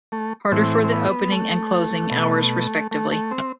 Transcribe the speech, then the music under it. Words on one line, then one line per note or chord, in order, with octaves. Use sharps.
Harder for the opening and closing hours respectively.
A3
A2 E3 C4
C4
B3
A3
B2
A3
A3
C4